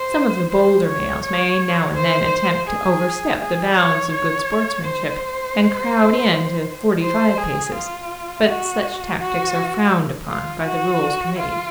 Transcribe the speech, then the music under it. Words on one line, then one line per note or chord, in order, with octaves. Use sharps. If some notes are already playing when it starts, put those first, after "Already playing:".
Some of the bolder males may now and then attempt to overstep the bounds of good sportsmanship and crowd in to forty-five paces, but such tactics are frowned upon by the Rules Committee.
Already playing: C5
C5
C#5
C#5
C5
G#4
G#4
C#5
C#5
C5
C5
G#4
F4
F#4
F#4
F4
F#4
F4